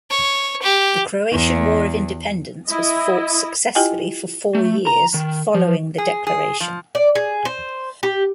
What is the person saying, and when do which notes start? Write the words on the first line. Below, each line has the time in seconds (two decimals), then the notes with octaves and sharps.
The Croatian War of Independence was fought successfully for four years following the declaration.
0.10 C#5
0.62 G4
1.32 E2
2.69 E4 D#5
3.75 E4 F4 G4 D#5 G5 G#5
4.55 A3
4.87 A#5
5.14 D#3
5.54 F3
5.98 G#4
6.27 G#4
6.60 F3
6.95 D5
7.15 G#4
7.45 C5
8.03 G4